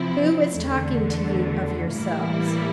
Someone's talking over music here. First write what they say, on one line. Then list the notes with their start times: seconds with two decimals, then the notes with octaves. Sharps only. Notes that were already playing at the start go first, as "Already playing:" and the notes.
Who is talking to you of yourselves?
Already playing: C3 F3 C4 E4
0.58 E2 D3 A3
1.91 A2 E3 G3 A#3 E4